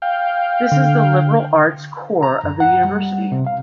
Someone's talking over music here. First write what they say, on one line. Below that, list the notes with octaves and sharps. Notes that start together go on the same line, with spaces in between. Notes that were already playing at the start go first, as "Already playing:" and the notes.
This is the liberal arts core of the university.
F5 G5
D3
A#5
F#2
F#5
G3
C3
F5